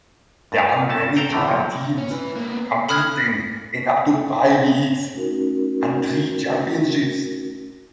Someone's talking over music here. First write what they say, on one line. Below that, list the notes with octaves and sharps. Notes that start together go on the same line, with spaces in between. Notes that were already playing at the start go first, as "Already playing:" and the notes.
There are many club teams competing in up to five leagues and three championships.
G2 F5
F4
G2 A3 C#4 A5
A4 C5 F#5 G5 A#5
E2 A2 D3 A3
F3 F#3 A#3
C#4
E4 B4
A#3 B3
A4 B5 D#6 F6 F#6 G#6
A3 C#4 D#4 F#4 A#4